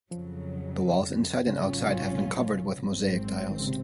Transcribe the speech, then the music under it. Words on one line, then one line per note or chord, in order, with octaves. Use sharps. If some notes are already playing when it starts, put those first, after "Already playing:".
The walls inside and outside had been covered with mosaic tiles.
F2 C#3 F3 F#3
G#1 G#2 C#3 F#3 C#4 F4
C3
A#2
G#1 G#2 F#3 C4
D#3
C#3
C3